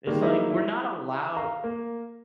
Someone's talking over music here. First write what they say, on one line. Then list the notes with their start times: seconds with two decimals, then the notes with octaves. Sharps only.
It's like we're not allowed
0.07 D#3 G3 G#3 A#3
0.21 F#3 G#3 A#3 D#4 E4
0.50 E4
1.36 F5 A#5
1.64 A#3